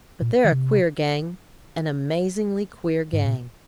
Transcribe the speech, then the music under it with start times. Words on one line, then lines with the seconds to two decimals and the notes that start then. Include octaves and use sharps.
But they're a queer gang,--an amazingly queer gang!'
0.22 A#2
0.44 D#3
0.52 C3
3.13 G#2
3.25 A#2